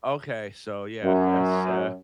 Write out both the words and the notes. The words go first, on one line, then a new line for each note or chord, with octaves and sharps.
Okay, so, yeah, that's, uh
F#2